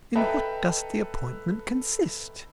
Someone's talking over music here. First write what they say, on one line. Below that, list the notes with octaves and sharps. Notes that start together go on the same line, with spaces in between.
"In what does the appointment consist?"
A4 B4 D#5 E5 G5 A#5